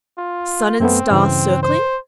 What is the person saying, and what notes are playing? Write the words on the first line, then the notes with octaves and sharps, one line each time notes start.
Sun-and-star circling.
F4
F#2 A3 B3 C4
G2 C#3 E3
C5